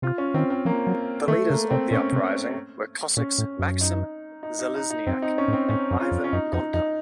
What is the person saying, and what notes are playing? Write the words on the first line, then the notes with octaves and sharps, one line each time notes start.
The leaders of the uprising were Cossacks Maksym Zalizniak and Ivan Gonta.
C3 F4
C#4
D#3 C4
C4
F3 A#3
F#3
D#3 A3
C#3 A#3
C3 C4
A#2 C#4
C3
A#2 C#4
A2
F#2
D#4
D#4
D#4
D#4
D#4
F#2 C4
D#4
C#4
A2
C4
A2 C#4
F#2
F4
F2
C#4
F#2 D#4
F2 D#4
F2 D#4